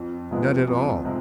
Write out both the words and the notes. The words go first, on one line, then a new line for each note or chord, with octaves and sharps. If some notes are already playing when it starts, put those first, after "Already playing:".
Not at all.
Already playing: F2
C3 F3 G#3 B3
F2
C3 F3 G#3